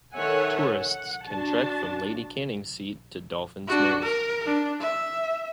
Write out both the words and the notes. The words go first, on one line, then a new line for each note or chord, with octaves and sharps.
Tourists can trek from Lady Canning's Seat to Dolphin's Nose.
D#3 A4 C#5 E5 F#5 G#5
F#5
D4 F#4 A5
D4 F#4
A#4
D4
E5